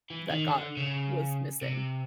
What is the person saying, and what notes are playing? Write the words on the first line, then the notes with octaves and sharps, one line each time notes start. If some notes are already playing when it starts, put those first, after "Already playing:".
that got was missing,
E3
D#3
D3
C#3
C3